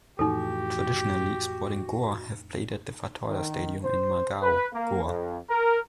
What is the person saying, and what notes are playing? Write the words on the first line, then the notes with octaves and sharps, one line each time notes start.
Traditionally, Sporting Goa have played at the Fatorda Stadium in Margao, Goa.
F2 A2 E3 D#4 F#4 G4 A4
D#3
C5
B4
A#3
F2
A#4